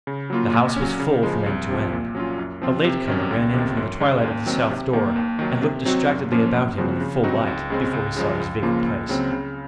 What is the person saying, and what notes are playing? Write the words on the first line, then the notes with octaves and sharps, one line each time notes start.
The house was full from end to end; a late comer ran in from the twilight of the south door and looked distractedly about him in the full light before he saw his vacant place.
C#3
F#3 A#3 F4
A#2
F#3 C#4
C#3
F3 G#3
C2
C3 F3
A#2
F#3 C#4 F4
F#2
F3 C4 F4
C3
D#3 F#3 C#4
C#2
C3 D#3
F#2
D#3 G#3 C#4
D#2
D#3 F#3 C4
C3
D#3 A#3
D#2
D#3 F#3
C3
F#3 C4 D#4 F#4
F#2
F3 A#3 C#4 F4
F#2
C#3 F3 C4 F#4
C#3
F#3 C4 D#4 F#4
C#2
C#3 G#3 C4
C#2
C#3 F3 G#3
C#2
C#3 F3 A#3 F4
C#2
C#3 F#3 C4
C#3